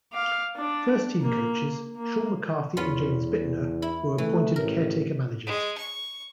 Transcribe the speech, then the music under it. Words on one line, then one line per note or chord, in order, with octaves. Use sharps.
First team coaches Sean McCarthy and James Bittner were appointed caretaker managers.
F5 D6
D4 D5
A#3
A#3
E2 B3 C#4 F4
E4
E3 A3
A1 A#4
G#3
C#6